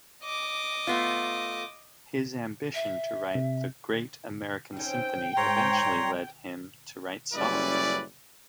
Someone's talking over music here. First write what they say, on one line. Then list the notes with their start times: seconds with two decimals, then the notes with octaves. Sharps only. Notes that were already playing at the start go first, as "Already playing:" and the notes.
His ambition to write the "great american symphony" eventually led him to write songs.
0.24 D#5 D6
0.87 A3 B3 F4
2.75 E5
3.35 C3
4.77 C4 C#4 D#4 G5
5.37 G#2 G#3 C#5 A#5 C6
5.82 F#2 G3
7.34 F#1 G3 C#4 E4 B4 D5